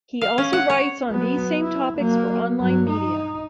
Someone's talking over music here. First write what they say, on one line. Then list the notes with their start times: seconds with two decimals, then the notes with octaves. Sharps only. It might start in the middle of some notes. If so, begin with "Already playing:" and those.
He also writes on these same topics for online media.
0.21 F5
0.38 C#4
0.53 F#5
0.70 C#5
1.09 F#3 B3
1.61 E4
1.98 F#3 A#3
2.57 G2 F#3
2.89 D#4